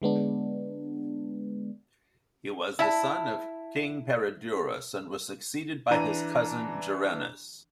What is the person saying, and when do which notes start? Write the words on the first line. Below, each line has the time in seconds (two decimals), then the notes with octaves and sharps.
He was the son of King Peredurus and was succeeded by his cousin Gerennus.
0.02 D3 G#3 B3 D4
2.79 E4 E5 A5
5.91 E3 D4 A#5 D#7